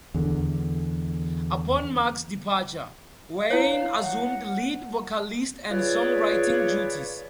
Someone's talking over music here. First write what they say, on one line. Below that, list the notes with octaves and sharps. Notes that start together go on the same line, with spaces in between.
Upon Mark's departure, Wayne assumed lead vocalist and songwriting duties.
E2 D3
F5
E4 C#5
F#5
F4 G#4 B4 C#5 D5